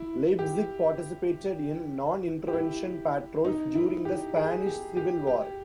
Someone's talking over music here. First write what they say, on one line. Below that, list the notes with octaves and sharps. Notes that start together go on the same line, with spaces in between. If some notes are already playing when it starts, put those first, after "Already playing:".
"Leipzig" participated in non-intervention patrols during the Spanish Civil War.
Already playing: E4
G4
G4
E4
D#4
E4
G4
G#4
G4
G4
G4